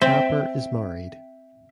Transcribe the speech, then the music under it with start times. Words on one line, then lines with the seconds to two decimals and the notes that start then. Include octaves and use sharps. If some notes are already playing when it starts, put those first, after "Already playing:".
Tapper is married.
0.02 C4 E5 G5